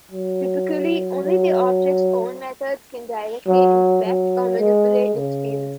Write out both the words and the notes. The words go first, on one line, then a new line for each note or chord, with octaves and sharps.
Typically, only the object's own methods can directly inspect or manipulate its fields.
F#3
F#3
F#3
F#3
G#3
C#3